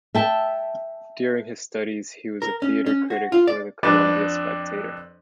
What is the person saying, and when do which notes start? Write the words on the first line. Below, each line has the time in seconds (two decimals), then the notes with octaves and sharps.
During his studies, he was a theater critic for the "Columbia Spectator".
0.15 E5 G5 A5
2.42 A#4
2.62 C#4
2.86 C#4
3.10 F#4
3.32 F4
3.47 D5
3.83 F2 D4 B4 D5 D6